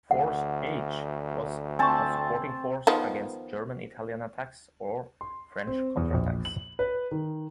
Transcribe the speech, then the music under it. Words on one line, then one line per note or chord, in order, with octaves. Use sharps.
Force "H" was a supporting force against German-Italian attacks or French counterattacks.
D2 F#5
C4 G#5 A5 C#6
D#3 F3 B3
C6
C4
E2
A#1
F#7
B4
D#3